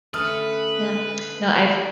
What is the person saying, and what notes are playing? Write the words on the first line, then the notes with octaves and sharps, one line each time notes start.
Yep. No, I've
D3 A3 C#4 A4 B4 D#6 F6